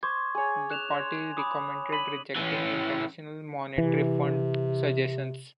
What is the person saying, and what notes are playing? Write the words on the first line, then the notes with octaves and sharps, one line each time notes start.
The party recommended rejecting International Monetary Fund suggestions.
C5 C#6 D6 G#6
G#4 C#5
F#6 E7 F7
C#5 C6
B5 D6 D#6
B5 D#7 F#7
E3 C#4
C3 E3